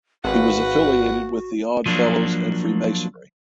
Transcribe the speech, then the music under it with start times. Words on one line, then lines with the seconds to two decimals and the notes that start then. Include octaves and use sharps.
He was affiliated with the Odd Fellows and Freemasonry.
0.24 G#1 F#4 B4 F5 F#5
1.86 F3 F#3 A#3 D4